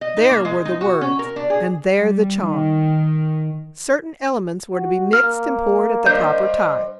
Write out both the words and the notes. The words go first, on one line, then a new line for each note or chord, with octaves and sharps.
There were the words, and there the charm. Certain elements were to be mixed and poured at the proper time.
D#5
D#4
A#3
G#3
D#4
F#4
C#4
A#4
D4
G#4
G3
D#3
F#4
A#3 F6
G2 C5 D#5 G6